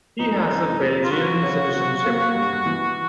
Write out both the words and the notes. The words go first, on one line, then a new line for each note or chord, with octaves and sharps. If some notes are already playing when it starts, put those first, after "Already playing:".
He has a Belgian citizenship.
F2 D#4
F2
F2
F4
F#3 F#4
C#3
F#3
A#3
G2
E3